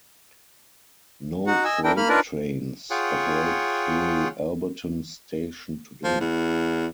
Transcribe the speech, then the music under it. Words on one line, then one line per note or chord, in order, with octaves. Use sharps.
No freight trains operate through Alberton station today.
D#4 F#4 F#5
D#5 G#5 E6
D4 E4 A#4 G5
A#3 B5 F6
D4 D#4 F4 A#4 B4 D5
F4 G#4 C#5 F#5 G5
F3
E2